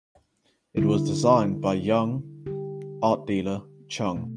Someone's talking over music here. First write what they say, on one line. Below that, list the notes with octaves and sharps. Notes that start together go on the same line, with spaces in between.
It was designed by Jung "Art Dealer" Chung.
D3 G3 E4
D3 G3 G4
B2 A3